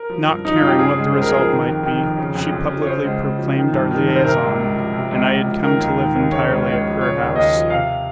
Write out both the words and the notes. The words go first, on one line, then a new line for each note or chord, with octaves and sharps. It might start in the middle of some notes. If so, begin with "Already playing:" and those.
Not caring what the result might be, she publicly proclaimed our liaison, and I had come to live entirely at her house.
Already playing: A#4
F3
G2
F3 D#4
F4
G2
G4
C#3 G#4
C#2
C#2 C5
A#4
F3 G#4
A#4
D#3
F2
D#3
F2
C#3
F2
F2
F3
C#5
C#3 C5
C#2
C#2
F3
D#3
G2
D#3
G2
C5
C3 A#4
C#2
C#2
F3
C3
C#2
C#2
F3
D#3 A#4
D#2
D#3
D#2
C#3 C#5
C#2
C#2 C#5
F3
C#3 C#5
D#2
D#2 D#5
F3
C3 F5